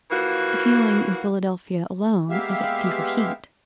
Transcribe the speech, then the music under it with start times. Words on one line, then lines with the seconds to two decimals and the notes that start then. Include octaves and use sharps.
"The feeling in Philadelphia alone is at fever heat."
0.11 E3 F3 A#3 F#4
2.30 G#3 A#3 B3 G4 E5 F5